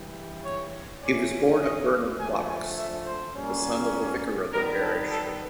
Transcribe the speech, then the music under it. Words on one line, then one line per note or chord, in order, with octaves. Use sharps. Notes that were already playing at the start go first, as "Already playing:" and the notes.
He was born at Burnham, Bucks, the son of the vicar of the parish.
Already playing: G2 E3 G3
C#5
E3 A3 C#4 D5
D#5
F5
D3 F3 A3 G#5
G#5
E5
C5
A#2 G3 A#3 C#4
D#3 G3 B3 A#4
A4
A4